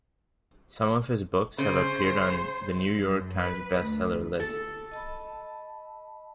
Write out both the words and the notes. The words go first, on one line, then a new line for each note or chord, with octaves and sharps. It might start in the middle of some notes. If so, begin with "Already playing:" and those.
Some of his books have appeared on The New York Times Best Seller list.
C#3 C5
F#2
B4
D2
A4
D#5 A5 B5